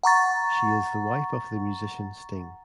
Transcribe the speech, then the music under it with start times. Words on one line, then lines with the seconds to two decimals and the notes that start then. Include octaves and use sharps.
She is the wife of the musician Sting.
0.03 F#5 A#5 C#6 A6